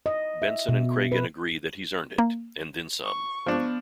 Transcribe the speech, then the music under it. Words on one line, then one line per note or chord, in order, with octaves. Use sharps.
Benson and Cragen agree that he's earned it "and then some".
D#5
E5
B2
B4
A#3
C#6
F3 B3 D4